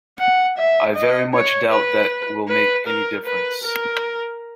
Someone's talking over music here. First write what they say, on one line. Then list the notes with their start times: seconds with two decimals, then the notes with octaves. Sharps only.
I very much doubt that that will make any difference.
0.19 F#5
0.57 E5
0.96 D#5
1.34 C#5
1.71 B4
2.49 B4
2.87 A#4
3.25 B4
3.64 A#4